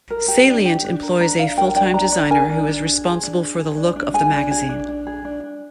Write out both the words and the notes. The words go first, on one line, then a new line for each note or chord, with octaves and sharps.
"Salient" employs a full-time designer who is responsible for the look of the magazine.
A#4
G4
D4
G4
D4
A#4
D4 A#5
D4 F5
A#4 G5
D4 G5
D4 A#5
D4
A#4 G#5
D4
D4
G#4
G#4
D4
G#4
G#4
D4
D4
G#4 G#5
D4
G#4
D4
D4
G#4
D4
D4